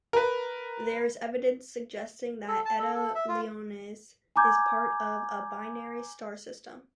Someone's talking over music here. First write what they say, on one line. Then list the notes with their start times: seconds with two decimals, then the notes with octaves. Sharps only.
There is evidence suggesting that Eta Leonis is part of a binary star system.
0.13 A#4 B4
2.48 A4
2.65 A5
2.79 A4
2.95 A4
3.15 E5
3.29 F4
4.36 G#5 A#5 D6 G6 G#6